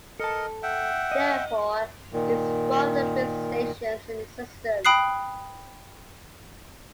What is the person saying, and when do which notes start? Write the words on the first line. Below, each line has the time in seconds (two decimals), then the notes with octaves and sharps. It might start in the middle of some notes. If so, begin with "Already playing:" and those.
Therefore, it is one of the busiest stations in the system.
0.20 A4 A#4 D#5 A5
0.63 E5 F#5 G5
1.12 D#5
2.13 A#2 D#3
4.85 G5 B5 D#6 F#6 C7